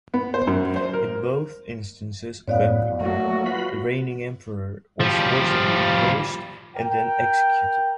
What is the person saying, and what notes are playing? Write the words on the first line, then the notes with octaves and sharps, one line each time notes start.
In both instances of Empire, the reigning Emperor was forcibly deposed and then executed.
B3
C5
F#2
C5
A#4
F#2 A2 B3 C#5 D5 F5
F#3 A3 A#3 F#4
F4 B4 B5
F3 G3
A#4 G5